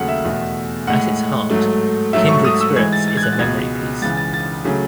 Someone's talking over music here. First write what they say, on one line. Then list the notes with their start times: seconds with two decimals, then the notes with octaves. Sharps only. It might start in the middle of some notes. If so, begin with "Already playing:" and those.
At its heart, "Kindred Spirits" is a memory piece.
Already playing: D#2 C#3 F#3 A3 F#5
0.08 E5
0.24 E2 B2 A3
0.87 A2 G#3 F#5
1.50 G#2 F#3 A3
2.13 G#2 F#3 A3 E5
2.29 C#6
2.45 D#6
2.61 E6
2.76 G#2 E3 G#3 G#6
2.92 A6
3.08 A6
3.17 G#6
3.23 F#6
3.32 A6
3.39 C#2 B2 G#3 G#6
4.02 C#2 C#3 E3 A6
4.17 A6
4.34 A6
4.64 C#3 F#3 A3